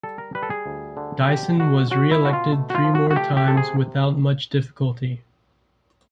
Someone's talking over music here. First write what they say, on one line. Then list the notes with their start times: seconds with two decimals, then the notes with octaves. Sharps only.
Dyson was reelected three more times without much difficulty.
0.03 G3 A4
0.18 A#4
0.35 G3 B4
0.43 A4
0.50 G#4
0.66 D2
0.97 D3
1.28 B2 G4
1.60 G#3 F#4
1.90 C#4 F#4
2.11 E4
2.22 B2 F#4
2.33 F4
2.53 A3
2.70 F#4
2.75 F4
2.84 F3
2.95 F#4
3.11 F#4
3.16 A3 G4
3.37 G4
3.48 C3 A4
3.57 G#4